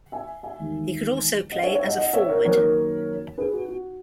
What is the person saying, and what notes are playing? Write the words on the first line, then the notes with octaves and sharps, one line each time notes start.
He could also play as a forward.
E5 G#5
E5 G#5
E1 D#2 D#3
D#5 F#5
C#5 E5
C#5 E5
D#5 F#5
D#5 F#5
C#5 E5
A#4 C#5
F#2 D#3 A#3 A#4 C#5
G#4 B4
F#4
F#4